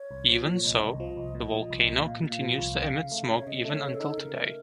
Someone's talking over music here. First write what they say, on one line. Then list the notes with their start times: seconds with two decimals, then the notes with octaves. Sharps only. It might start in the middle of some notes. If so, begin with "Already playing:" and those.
Even so, the volcano continues to emit smoke even until today.
Already playing: C#5
0.11 C2
0.29 F3
0.47 A#2
0.64 C2 D#5
0.81 C2
1.00 F3
1.17 C2
1.35 A#2
1.53 F3
1.70 C2
1.88 A#2
2.06 A#2 F5
2.23 A#2
2.29 F5
2.41 F3
2.58 C2
2.76 C#3
2.94 C#3
3.12 A3
3.29 C#3
3.37 C#5
3.47 C#3 D#5
3.65 A3
3.70 C#5
3.83 C#3
3.94 A4
4.00 D#4
4.18 C#3 A#4
4.35 A3